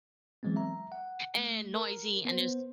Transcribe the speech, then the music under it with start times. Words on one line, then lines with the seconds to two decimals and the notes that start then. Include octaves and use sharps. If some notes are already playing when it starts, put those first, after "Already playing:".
and noisy, and there's
0.43 E3 F#3 G#3 B3 C4
0.56 E5 A#5
0.92 F#5
1.37 A3
1.75 A#4
2.25 B3 C5